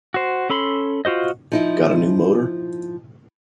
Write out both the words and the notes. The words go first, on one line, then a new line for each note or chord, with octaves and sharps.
Gotta New Motor?
F#4 C5
C#4 A4 B5 C6
F4 F#4 C5 D#5
F3 D#4 E4